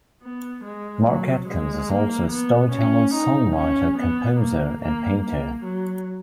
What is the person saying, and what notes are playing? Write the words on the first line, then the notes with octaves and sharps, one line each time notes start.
Mark Atkins is also a storyteller, songwriter, composer and painter.
B3
G#3
F#3
G#3
A#3
B3
C#4
D#4
C#4
B3
A#3
A#3
A#3
F#3